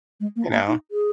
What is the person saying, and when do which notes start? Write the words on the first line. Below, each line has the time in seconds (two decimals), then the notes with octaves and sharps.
You know?
0.20 G#3
0.36 A#3
0.52 A#3
0.68 D#4
0.91 G#4